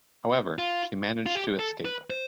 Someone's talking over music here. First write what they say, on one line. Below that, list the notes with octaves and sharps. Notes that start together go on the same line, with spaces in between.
However, she managed to escape.
F4
F4
G4
A4
B4
C5